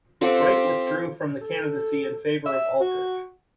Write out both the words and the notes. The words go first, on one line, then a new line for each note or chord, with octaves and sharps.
Wright withdrew from the candidacy in favour of Aldrich.
C4 F4 G4 A4 F#5
A4
E5
F#4